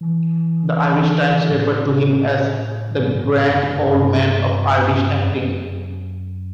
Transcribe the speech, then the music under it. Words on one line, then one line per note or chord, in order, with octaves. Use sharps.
"The Irish Times" referred to him as the "grand old man of Irish acting".
E3
A2
A2
G2
A2
A2
F#2
G2
F#2